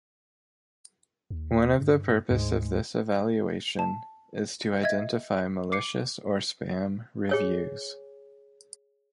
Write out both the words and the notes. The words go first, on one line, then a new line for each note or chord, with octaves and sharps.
One of the purpose of this evaluation is to identify malicious or spam reviews.
D#2
G2
D2 G#2
A5
D#5 E5 G#6
D6 C7 C#7
G#4 C#5 G#5